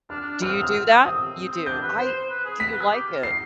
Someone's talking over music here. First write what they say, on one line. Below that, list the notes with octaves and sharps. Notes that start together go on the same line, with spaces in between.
Do you do that? You do, I Do you like it?
D4 F6
D4
D4
C4 F6
D#6
C4
F6
C4
C4
C4
D#6
C4
C4
D4 G6
B4
C5
C5
B4
G#4
B6
B4
G#4
G4
F4
D#4 C7